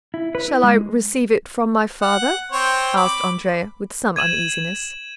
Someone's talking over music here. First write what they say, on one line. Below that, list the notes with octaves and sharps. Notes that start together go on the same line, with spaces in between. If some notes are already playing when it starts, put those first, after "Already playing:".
"Shall I receive it from my father?" asked Andrea, with some uneasiness.
E4
B4
E4
G#3
F#5
C4 C5 C#5
B5 D6
G#6 D#7 E7 F#7